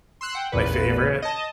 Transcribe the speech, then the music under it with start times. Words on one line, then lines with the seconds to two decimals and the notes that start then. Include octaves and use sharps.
my favorite.
0.21 C6 E6 F#6
0.35 F#5 G5
0.52 A1 E2 A#2 B4
1.22 D#5 A5